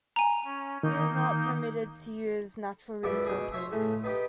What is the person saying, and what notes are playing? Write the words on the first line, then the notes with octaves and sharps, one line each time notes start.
Here is not permitted to use natural resources.
G#5 A#5
C#4
D#3 A#3 D#4 G6
C#2 F#2 B3 D5 E5
B2 D#4 G#4
C5 C#5 E5
A2 C#3
B3 D#4 G4